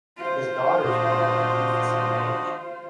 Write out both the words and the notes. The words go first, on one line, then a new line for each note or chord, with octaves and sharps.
his daughter's old and he's the same age.
F4 C5
A#2 D4 F#4 D#5